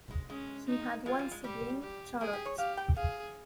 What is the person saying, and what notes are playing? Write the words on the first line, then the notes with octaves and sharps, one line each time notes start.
He had one sibling, Charlotte.
G#3
G#3 C#4
D#4
G#3 F4
G3
G#3
G3 G4
G4
G#3 G#4
G4
C#5
G4 F5
G5
G#4 F5